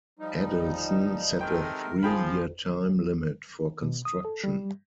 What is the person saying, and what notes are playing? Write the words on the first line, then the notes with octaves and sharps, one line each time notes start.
Adelson set a three-year time limit for construction.
F3 G3 D#4
C3 D#3 G#3 A4 A#4 G5
F3 G#4 G5 B5
B2
D#6
A4
G3